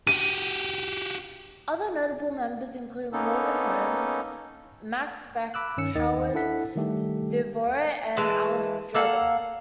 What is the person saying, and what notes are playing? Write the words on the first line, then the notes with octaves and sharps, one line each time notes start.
Other notable members included Morgan Holmes, Max Beck, Howard Devore and Alice Dreger.
F#4 G4 D#7
A#3 B3 C#4 D#4 A4
B5 D6 E6 F#6
G2 D#3 C#4 E6 C#7
D#2 D#3 D#5 A6
D4 E4 A4 F#5 B6
D#3 G3 A3 G4 A4
E3 G#3 A5
A#3 A4 F5 F#5